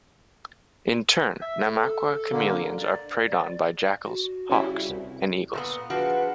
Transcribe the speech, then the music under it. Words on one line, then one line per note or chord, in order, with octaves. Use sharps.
In turn, Namaqua chameleons are preyed upon by jackals, hawks, and eagles.
E5
A4
D3 A#3
D5
F#4
C#3 G3 E4
C2
A#2 A#3 B3
F3 D4 F#4 G#4 B4 F#5